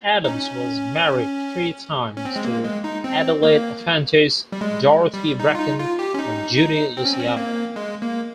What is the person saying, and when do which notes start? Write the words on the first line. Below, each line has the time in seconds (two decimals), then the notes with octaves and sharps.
Adams was married three times, to Adelaide Efantis, Dorothy Bracken, and Judy Luciano.
0.24 D#4
0.29 C#4
2.17 C#4
2.25 C4
2.36 G#3
2.45 A#3
2.64 G#3
2.84 D#4
3.04 C4
3.43 A#3
4.52 G3
4.61 G#3
5.14 G3
5.40 D#4
5.55 F4
5.60 D#4
5.79 F4
5.99 G4
6.14 C#4
6.19 D#4
6.57 D#4
6.97 C4
7.05 C#4
7.12 C4
7.20 C#4
7.28 C4
7.37 A#3
7.76 G#3
8.02 A#3